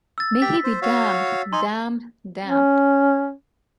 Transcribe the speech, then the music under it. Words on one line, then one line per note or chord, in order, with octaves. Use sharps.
May he be damned, damned, damned!
E6 A6
G4 G5 B6
C5
F#4 C#5 F5
D#4 G#5 C6
C#4